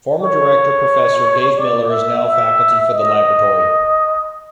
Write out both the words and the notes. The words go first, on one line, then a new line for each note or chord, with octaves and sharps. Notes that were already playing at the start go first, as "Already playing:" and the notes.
Former director Professor Dave Miller is now faculty for the laboratory.
C#5
D5
E5
E5
D#5